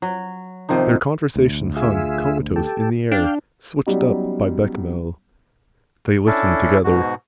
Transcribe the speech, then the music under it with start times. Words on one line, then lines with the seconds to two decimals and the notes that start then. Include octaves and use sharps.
Their conversation hung comatose in the air, switched up by Bechamel. They listened together.
0.02 F#3
0.69 C3 D#3 F3 D#4
1.36 D2
1.77 F4 G#4 E5
2.56 G4 A4
3.11 D4 F5 G5
3.87 F#3 G3 B3 C#4 D#4 G4
6.27 C#4 D4 E4 A4
6.84 G#2 B2 F#4